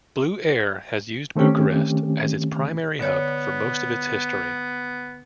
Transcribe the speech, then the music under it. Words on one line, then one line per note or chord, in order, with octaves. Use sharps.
Blue Air has used Bucharest as its primary hub for most of its history.
D#3 A3 C4 C#4 G4
D3 B3 C#5